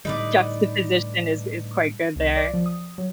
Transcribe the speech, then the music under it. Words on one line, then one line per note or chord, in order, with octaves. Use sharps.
juxtaposition is is quite good there.
A2 D3 G3 D#4 B4 D5
C2
D5
F3
D#6
F#3